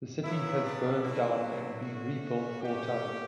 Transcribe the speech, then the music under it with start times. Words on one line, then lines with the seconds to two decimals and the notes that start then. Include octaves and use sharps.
The city has burned down and been rebuilt four times.
0.23 C#3 F#3 B3 E4
0.62 D4
1.02 G2 D3 F#3 B3 D4 E4
1.41 E4
1.80 D3 A3 C#4 F#4
2.59 A2 F#3 A3 C#4 G4